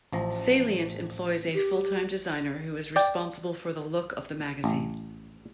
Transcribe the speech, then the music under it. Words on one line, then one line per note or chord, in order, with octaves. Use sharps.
"Salient" employs a full-time designer who is responsible for the look of the magazine.
A1 F3 A#5
G4
D5 G5
A1